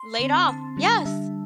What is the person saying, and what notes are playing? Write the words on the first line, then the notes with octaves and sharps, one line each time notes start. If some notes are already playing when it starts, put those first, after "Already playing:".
Laid off. Yes.
Already playing: C6
D3 C4
D3 C4 A5
D3 G3 D4
D3 G3 D4 E5